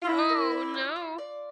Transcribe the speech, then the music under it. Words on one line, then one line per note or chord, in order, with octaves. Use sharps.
Oh, no.
F4
A#3 E4
A#4
D5
F4
F4
D5